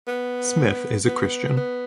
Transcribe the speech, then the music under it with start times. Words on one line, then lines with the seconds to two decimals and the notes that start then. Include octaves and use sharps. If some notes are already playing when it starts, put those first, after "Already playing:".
Smith is a Christian.
0.07 B3
1.07 B3
1.57 B3